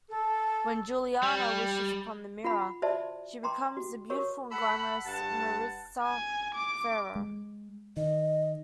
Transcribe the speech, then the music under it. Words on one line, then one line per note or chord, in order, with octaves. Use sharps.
When Juliana wishes upon the mirror, she becomes the beautiful and glamorous Maritza Ferrer.
A4
G3
F4 F#5 B5
F#4 C5 D5 E5 A5
G5 A#5 C6 D6
F#4
F#4 A#4 C#5 C#6
A4 F#5 B5
G2 F#5 A5
G#5
D6
G#3
D#3 D#5